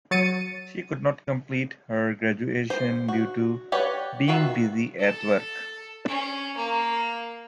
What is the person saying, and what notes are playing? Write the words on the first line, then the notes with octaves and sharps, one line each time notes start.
She could not complete her graduation due to being busy at work.
F#3 A6 C#7 D#7
C5
F#4
G4 B4 C#5 D5 F#5
D#3 F4 F#4 B4 E5
A4
C#4
A#3